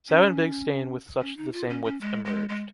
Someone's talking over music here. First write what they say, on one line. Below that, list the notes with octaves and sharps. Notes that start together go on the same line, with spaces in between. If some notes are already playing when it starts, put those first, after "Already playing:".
Seven big stain with such the same width emerged.
C#4
C#4
D#4
F4
C#4
C#4
G#3
G#3
G#3